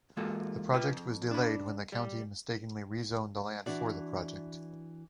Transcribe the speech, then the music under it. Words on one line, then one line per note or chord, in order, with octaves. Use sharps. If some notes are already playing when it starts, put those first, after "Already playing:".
The project was delayed when the county mistakenly rezoned the land for the project.
E3 G#3 A#3 F4 F#4 A4
F4 B4 G5
F2
D4 B5
G3
E3 D4 F#4 D5